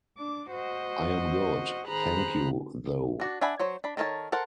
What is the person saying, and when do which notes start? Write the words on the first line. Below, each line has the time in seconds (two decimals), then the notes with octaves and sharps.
I am good, thank you though!
0.17 D4 D6
0.50 F#4 C5 D#5
1.87 D#3 G#4 C5 A#5 B5 F#6
3.20 D4 F#4 D5
3.41 D4 E5 F#5 G#5 B5
3.59 F#3 C5 C#5
3.84 D4 B5
3.97 D#3 A4 A#4 C#5 A5
4.32 A4 A#4 C5 F#5